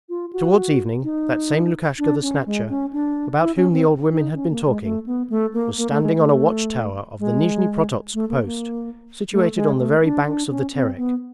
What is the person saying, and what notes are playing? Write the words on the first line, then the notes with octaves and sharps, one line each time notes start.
Towards evening, that same Lukashka the Snatcher, about whom the old women had been talking, was standing on a watch-tower of the Nizhni-Prototsk post situated on the very banks of the Terek.
F4
F#4
D#4
D4
C#4
G#3
C#4
D4
E4
C#4
C4
D#4
C#4
A#3
G#3
A3
B3
A3
A#3
A#3
A3
G#3
A3
G#3
A3
A#3
A#3
A3
G#3
A3
D4
D4
C#4
C4
B3